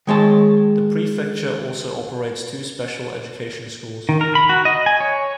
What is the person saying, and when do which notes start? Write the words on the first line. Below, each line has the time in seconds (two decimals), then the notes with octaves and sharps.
The prefecture also operates two special education schools.
0.07 D#3 G#3 C#5 A5
4.09 D#3
4.21 A#4
4.35 B5
4.49 F#4
4.65 D#5
4.86 G#5
5.00 C#5